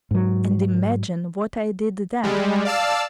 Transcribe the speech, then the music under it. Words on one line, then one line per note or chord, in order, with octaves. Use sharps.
And imagine what I did then!
G#2 F#3
G3 G#3
D5 F5 A5 E6